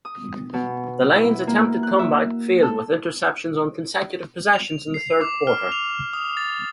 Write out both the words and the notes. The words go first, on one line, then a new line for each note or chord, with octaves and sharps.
The Lions attempted comeback failed with interceptions on consecutive possessions in the third quarter.
D#6
B2
E4
A#3
F#6
E5
A4
F7
C7
D6
F6
F7
D#6
A6